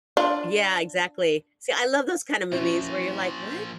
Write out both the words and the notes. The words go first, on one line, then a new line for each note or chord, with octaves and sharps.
Yeah, exactly, see, I love those kind of movies where you're like, "What,
D4 F4
A#2 F3 C#4 E4 F#4